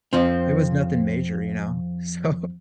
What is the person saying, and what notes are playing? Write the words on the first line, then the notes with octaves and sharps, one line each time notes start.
it was nothing major, you know? So,
F2 F3 C4